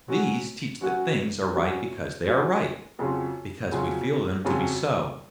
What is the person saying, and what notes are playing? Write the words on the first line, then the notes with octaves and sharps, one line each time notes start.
These teach that things are right because they are right; because we feel them to be so.
F#3 C#4 F#4
F#3 C#4 F#4
F#3 C#4 F#4
F#3 C#4 F#4
F2 C#3 F#3 C#4 F4
F2 C#3 F#3 C#4 F4
F2 C#3 F#3 C#4 F4